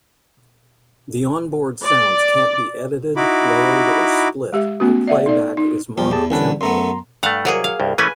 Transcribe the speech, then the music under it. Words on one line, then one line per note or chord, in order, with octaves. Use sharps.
The onboard sounds can't be edited, layered or split, and playback is mono-timbral.
D5
D#4 E4 F#4 B5 D6
G#3 G4 E5
A3 B3 C#4 F#4
D5 E5 F#5
D#4 A4 D5
D#4
E2 F3 G3 G4
E2 G4 G#4 A5
C2 D3 E3 C#4 D4 B4
F#2 A3 B3 A#5 C6
G2 A3 F5 F#5
C2 F#3 A#3 G#4
F5
C2 G2
E3 A3 C#4 B4 G#5